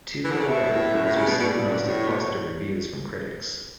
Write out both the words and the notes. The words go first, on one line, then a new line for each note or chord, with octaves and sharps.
"Two for the Road" has received mostly positive reviews from critics.
E3
D3
C#3
B2 E5
A2
F#2
A2
C#3
B2
B2 D5
A2
G2
F#2
A2 C#5
B2
A2